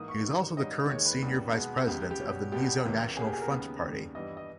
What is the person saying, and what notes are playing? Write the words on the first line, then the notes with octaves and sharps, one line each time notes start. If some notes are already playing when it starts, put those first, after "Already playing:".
He is also the current Senior Vice President of the Mizo National Front party.
Already playing: G#2 E3 A#3 D#6
C#6
G#2 D#3 G3
G#2 G3 C#4 D#5
D#2 D#3 G#3 C#5
B4
D#2 C#3 G3 B3
B2 G#3 B3
C#2 C#3 G#3 B3 G4
G4
B2 G3 C#4
C#2 B2 G3 B3 G4
C#2 C#3 E3 A#3 C#4
B2 A#3 C#4 G#4
G4
G#4
A#4
D#2 C#3 G#3 B3
D#2 C#3 G3
G2 E3 G3 B3 D#5
D#5